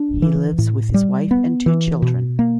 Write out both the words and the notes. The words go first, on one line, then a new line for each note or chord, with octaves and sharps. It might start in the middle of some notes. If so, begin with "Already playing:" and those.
He lives with his wife and two children.
Already playing: D4
E3
A2
G3
B3
E3
B2
A#3